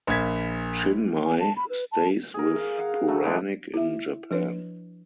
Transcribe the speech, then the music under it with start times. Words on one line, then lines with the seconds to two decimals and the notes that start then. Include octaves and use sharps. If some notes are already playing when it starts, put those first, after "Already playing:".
Chinmay stays with Puranik in Japan.
0.07 A#1 A#3 G#6 B6
1.25 G#5
1.40 A5
1.56 B5
1.70 B4
1.92 A5
2.34 G#4 A#4
2.56 F5
2.77 G#4 F5 F#5
3.08 C#3 F#3 A3
3.23 C#3 E3 G#3 D4
3.74 E4 E5
4.31 F3 D4 B4 C#5